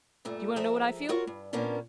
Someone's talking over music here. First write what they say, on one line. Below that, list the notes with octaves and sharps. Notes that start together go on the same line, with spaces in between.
Do you want to know what I feel?
G2 A#2 A3
F3 G#3 G#4 A#4 E5
F4 F#4 A#4 C#5
G2
A#2 A#3 B3 C#4 D4